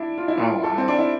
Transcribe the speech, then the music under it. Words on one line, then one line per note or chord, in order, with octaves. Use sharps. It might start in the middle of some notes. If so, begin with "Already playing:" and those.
Oh, wow.
Already playing: D4 E4
F4
E4
F4
A4
C4
D4
E4